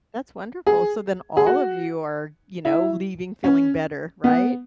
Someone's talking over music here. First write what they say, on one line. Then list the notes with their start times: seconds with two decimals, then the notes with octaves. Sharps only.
That's wonderful. So, then all of you are, you know, leaving feeling better, right?
0.67 G#4
1.37 G#4
1.46 F#4
2.65 E4
3.44 C#4
4.24 B3